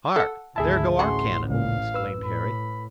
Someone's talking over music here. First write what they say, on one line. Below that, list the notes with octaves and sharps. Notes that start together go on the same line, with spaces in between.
"Hark! there go our cannon!" exclaimed Harry.
A4 F#5
G#1 D2 E4 G#4 E5 A5
A1 C#3 F#4 C6
C#2 A#2 F5
B4 E6
A2 B5